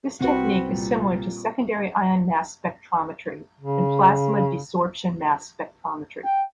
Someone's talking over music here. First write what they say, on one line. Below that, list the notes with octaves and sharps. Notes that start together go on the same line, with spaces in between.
This technique is similar to secondary ion mass spectrometry and plasma desorption mass spectrometry.
C2 C3 C4 F#4 B4
A#2 G3
C#3
G5